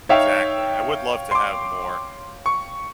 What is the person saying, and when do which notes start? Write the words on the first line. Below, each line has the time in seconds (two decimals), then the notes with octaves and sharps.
Exactly. I would love to have more
0.09 D#4 C#5 E5 F5 G5
1.31 C6 D6
2.46 C#6